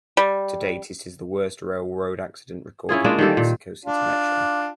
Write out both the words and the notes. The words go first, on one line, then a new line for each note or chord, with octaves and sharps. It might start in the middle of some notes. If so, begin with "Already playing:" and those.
To date, it is the worst railroad accident recorded in the Mexico City Metro.
G3
C#4 E4 F4 G#4
G#3 A#3 D4 F4
D#3 E3 G3 A4
A#2
D4 F4